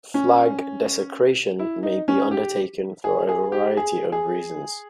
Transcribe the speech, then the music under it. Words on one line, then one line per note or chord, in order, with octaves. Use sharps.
Flag desecration may be undertaken for a variety of reasons.
C#4
E4
D#4
C#4
G4
G#4
G#4
G4
G#4
G#4